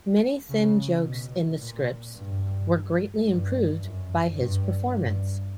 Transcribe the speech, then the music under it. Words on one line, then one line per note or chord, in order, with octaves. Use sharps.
Many thin jokes in the scripts were greatly improved by his performance.
C#3
B2
A#2
G2
G2
F#2
G2
G2